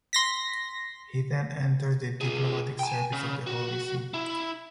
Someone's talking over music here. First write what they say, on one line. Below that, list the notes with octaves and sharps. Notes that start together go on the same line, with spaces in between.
He then entered the diplomatic service of the Holy See.
C6 A#6 B6
F4 G#4
G5 G#5
C#3
F#4
E4